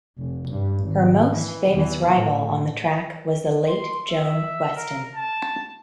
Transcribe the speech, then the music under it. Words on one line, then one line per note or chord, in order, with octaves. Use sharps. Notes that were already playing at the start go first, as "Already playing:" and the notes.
Her most famous rival on the track was the late Joan Weston.
F1
G2
G#1
E3
E2 E3
A2
C6
E5
A#4
A5